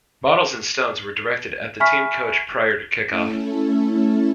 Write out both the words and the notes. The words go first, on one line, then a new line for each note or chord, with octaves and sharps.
Bottles and stones were directed at the team coach prior to kick-off.
E5 G#5 B5 C#6 F6 B6
A3 C#4 E4 A4